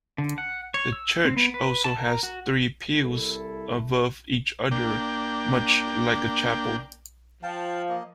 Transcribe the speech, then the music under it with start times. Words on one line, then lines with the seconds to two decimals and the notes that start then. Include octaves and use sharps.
The church also has three pews above each other, much like a chapel.
0.18 D3
0.38 F#5
0.74 C#5
0.93 E6
1.25 C4
1.37 B3
1.54 B4
1.84 A5
1.98 A#4
2.23 F#4
2.97 C2 E4 A4
4.71 A#3 D4 G5
7.43 F3 F5 G5 A5
7.89 A#3 D#5